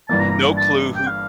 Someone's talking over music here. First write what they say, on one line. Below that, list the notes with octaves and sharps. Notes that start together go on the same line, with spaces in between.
No clue who
G1 G2 E3 A#3 A5
A#5
A#5
A5
G5
F5